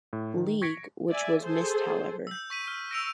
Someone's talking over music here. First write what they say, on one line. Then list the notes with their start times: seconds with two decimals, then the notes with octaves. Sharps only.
League, which was missed however.
0.13 A2
0.37 D#3
0.61 C#6 G#6 A#6 B6 C#7 D7
1.09 D5 E5 G#5
1.44 G#4 A4 C5
2.27 E6 G6
2.50 C#6 B6 D#7
2.68 F6
2.91 C#6 E6 A#6 D7 F7